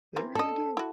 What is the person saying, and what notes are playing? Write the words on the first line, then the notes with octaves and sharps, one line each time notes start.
they really do.
E3 C4 A#4
D4 A4 D#5
E4 F#4